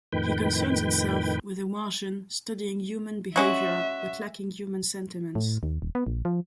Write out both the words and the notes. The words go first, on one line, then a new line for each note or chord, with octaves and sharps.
He concerns himself with a Martian, studying human behavior, but lacking human sentiments.
F2 A2 D#3 B4 G5
G#3 C#4 F#4 E5
A2
D#2
D#1
B3
A#1
F3